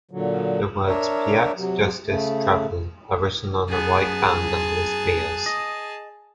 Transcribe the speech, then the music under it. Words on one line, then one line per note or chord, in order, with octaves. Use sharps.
The words "Paix, Justice, Travail" are written on a white band under the spears.
A#2 D3 F#3
D4 A#4 C#5 E5
C3 F#3
C#3 A3
F#2 B3 G#4 A5
D#5